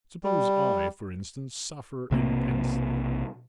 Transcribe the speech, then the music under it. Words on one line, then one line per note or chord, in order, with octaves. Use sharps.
Suppose I, for instance, suffer intensely.
G3
B1 C3 A#3 C4